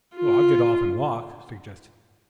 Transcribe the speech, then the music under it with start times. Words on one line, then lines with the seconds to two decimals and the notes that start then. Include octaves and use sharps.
"I'll get off and walk," suggested.
0.16 F4